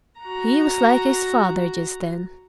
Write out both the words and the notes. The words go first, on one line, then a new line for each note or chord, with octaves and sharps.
He was like his father just then.
F#4 A#5